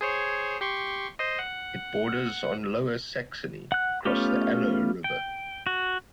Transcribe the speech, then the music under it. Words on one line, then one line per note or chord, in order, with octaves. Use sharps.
It borders on Lower Saxony, across the Aller river.
G#4 C5 C#5
G4 C6 C#6
C5 D#5 C6
F#5
F#5 F#6
A3 B3 C#4 F4 G4
G5
F#4